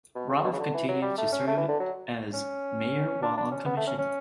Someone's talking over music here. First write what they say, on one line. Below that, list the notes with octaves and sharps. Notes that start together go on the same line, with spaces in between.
Ralph continued to served as mayor while on the commission.
B2
C#3
B2
C#3
D3
E3
F#3
G3
A3
C#4
A3
E3
D3
F#3
C#4
D4
D4
C#4
B3
A3
C#4
C#4